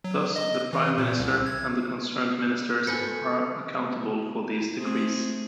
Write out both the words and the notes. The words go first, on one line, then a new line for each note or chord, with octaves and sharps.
Thus the prime minister and the concerned ministers are accountable for these decrees.
F#3
D#5
E3
A#2
C2
G#6
A4 B4 G#5 F#6 G6 C#7
A3 C4 G#4